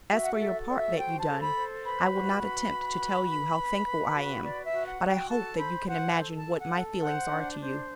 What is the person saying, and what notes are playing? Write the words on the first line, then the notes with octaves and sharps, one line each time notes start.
As for your part that you done I will not attempt to tell you how thankful I am, but I hope that you can imagine what my feelings are to you.
F#4 E5
F#5
E5
A4
F#4 D5
E5
C5 G5
A5
A4
B5
C5
B4 B5
F#4
B4
F#4
B4
B4
B4
B4
F#4
B4 D5
E5
F#4
F#5
F#4
G5
A4 A5
C5 B5
C5 F#5
A4
A5
A4
F#5
A4
C5 F#5
D4
C5